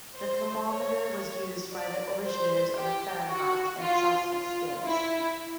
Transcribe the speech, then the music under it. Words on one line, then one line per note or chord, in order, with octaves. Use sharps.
The thermometer was used by the originators of the Fahrenheit and Celsius scales.
C5
C#5
D5
C5
G4
F#4
F4
F4
E4